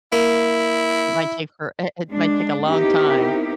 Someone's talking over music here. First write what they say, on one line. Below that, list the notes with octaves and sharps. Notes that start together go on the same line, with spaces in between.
Might take her i it might take long time
A#3 E4
G#3 D4
B3 C4 D#4 E4 G4 A#4